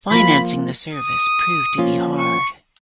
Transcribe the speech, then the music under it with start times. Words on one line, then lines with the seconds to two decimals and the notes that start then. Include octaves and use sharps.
Financing the service proved to be hard.
0.11 F3 A#3 F4 B5
0.94 D#6
1.78 F3 A#3 C#4 F4
2.19 C#6